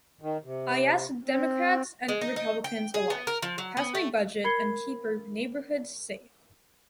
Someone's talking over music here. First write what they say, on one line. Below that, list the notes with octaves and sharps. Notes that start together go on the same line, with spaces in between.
I ask Democrats and Republicans alike: Pass my budget and keep our neighborhoods safe.
D#3
C3
C4
G#3
D#4
D#4
G5
G#4
B3
A#4
F3
F#3
B3
A3
A#4 B5 G#6 C7 C#7 G7